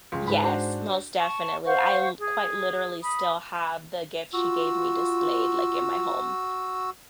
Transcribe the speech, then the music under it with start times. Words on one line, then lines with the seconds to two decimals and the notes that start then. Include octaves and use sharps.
Yes, most definitely. I l quite literally still have the gift she gave me displayed, like, in my home.
0.12 C#2 C#3
0.28 G#2 B4 B5
0.42 D4 F#4 C5
1.18 A5 C#6
1.65 C5 F5 F#5 C#6
2.18 G#4
3.02 B5 D#6
4.33 F4 F#4 E6